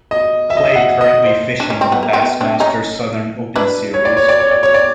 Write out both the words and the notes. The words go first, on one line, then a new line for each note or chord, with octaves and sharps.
Clay currently fishing the Bassmaster Southern Open series.
D#5
E5
D#5
E5
F#5
D#5
C5
D4
C#4
C4
B3
A#3
C4
B3
C4 D4
C#4 D#4
D4 E4 B4
C#5
D5
C#5
D5
C#5
D5
C#5
D5